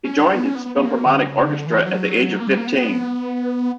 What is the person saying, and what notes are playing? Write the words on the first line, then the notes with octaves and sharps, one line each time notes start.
He joined its Philharmonic Orchestra at the age of fifteen.
C#4
D4
B3
C#4
B3
B3
B3
A#3
D3
C#3
D3
E3
F#3
A#3
G3
A#3
B3
B3